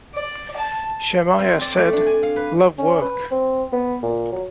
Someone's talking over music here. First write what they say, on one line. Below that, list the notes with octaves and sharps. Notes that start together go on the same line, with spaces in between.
Shemaiah said: Love work.
D5
A5
C4
D5
A3
D4
G#5
F5
B4
C#4
B4
C4
B3
A#2
F#3